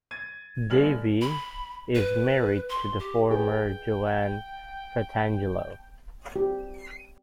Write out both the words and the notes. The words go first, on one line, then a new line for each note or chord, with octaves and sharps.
Davie is married to the former Joanne Fratangelo.
G#6 A6 D#7
G1 D4 F6 F#7
B5
B4
C6
G4
G#4 B4 G5
G4